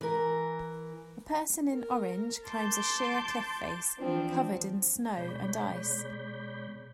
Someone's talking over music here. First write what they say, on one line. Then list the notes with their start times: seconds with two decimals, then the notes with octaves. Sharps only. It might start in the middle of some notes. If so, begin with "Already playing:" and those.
A person in orange climbs a sheer cliff face covered in snow and ice.
0.01 E3 A#4
1.73 A#4
2.46 A5 C6 D6 G6
3.98 E3 F3 C4 D4
5.17 B2 G#3 C#5 D5 B5 G6